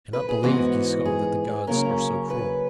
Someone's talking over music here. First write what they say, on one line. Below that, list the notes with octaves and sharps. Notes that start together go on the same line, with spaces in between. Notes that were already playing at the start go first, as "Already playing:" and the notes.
I cannot believe, Giscon, that the gods are so cruel.
B4
G#4
G#2 E3 B3 F#4
G#4
C#3 F#3 A#3 C#4 A#4
B4